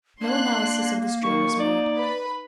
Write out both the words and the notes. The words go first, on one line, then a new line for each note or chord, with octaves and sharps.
No analysis of this dream was made.
A#3 D4 C6 F#6
D#3 C#6
D#4 D5
B4 B5